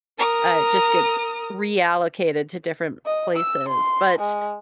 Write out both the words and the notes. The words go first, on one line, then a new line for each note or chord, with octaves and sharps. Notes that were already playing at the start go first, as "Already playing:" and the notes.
uh, it just gets reallocated to different places. But
A#4 A#5 D#6
D#5
E6
C6
G#3